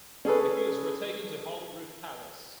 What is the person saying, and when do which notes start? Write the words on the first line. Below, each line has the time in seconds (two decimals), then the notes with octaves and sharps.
The goods were taken to Holyrood Palace.
0.25 C#4 G#4 A4 B4